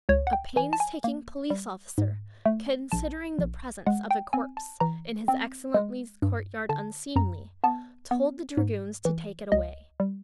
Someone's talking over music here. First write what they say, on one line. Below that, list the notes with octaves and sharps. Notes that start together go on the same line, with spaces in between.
A painstaking police officer, considering the presence of a corpse in his excellency's courtyard unseemly, told the dragoons to take it away.
C#2 C#5
F#5
G5
E3 G#5
A5
G#5
A#3
G3
G#2
A3
A#1 A5
A#1
G#3 F#5
G5
C4 G#5
A5
E3 A#5
C4
G#3
G2
D3 A5
F#2 A#5
B3 A5
B3
G#2
E3
C#2 D#5
G3